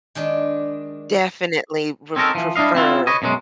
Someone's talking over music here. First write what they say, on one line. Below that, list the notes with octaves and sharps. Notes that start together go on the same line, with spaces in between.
Definitely re prefer
D#3 G#3 D4
C4 C#4 D#4 A4 A#4
E3 F3
G3 D4 E4 D#5 F5
C4 E4 F4
B4 C#5 D#5
F#2 B2 F#3 G#3